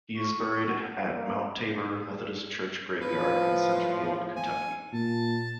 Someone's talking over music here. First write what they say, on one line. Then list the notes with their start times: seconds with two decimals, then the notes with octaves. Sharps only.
He is buried at Mount Tabor Methodist Church Graveyard in Centerfield, Kentucky.
0.17 C#6
0.69 F#5
1.13 A#3
3.01 A2 F3 B4
4.36 G#5
4.93 A#2 A5